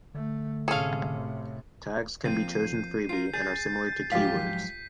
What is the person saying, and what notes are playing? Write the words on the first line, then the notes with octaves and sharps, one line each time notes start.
Tags can be chosen freely, and are similar to keywords.
D3 A3
A2 C3 C#4 G#4 A4 F5
F3 A#3 C4 G6 C7 D#7
F4 A#4 C7
G#4 G6 A6
G#2 F3 F#3 F4 G4 B6